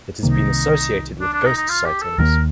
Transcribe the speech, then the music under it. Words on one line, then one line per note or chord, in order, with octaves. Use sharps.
It has been associated with ghost sightings.
C2 C3 D#3 A#3 D#4
D4
D4
D#4
D#4
F4
G4
A4
D#2 D#3 G3 A#3 A#4